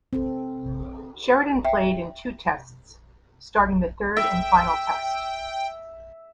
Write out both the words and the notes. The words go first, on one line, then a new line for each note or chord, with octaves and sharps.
Sheridan played in two Tests, starting the third and final Test.
C4 A4
E5 G5
E5 G5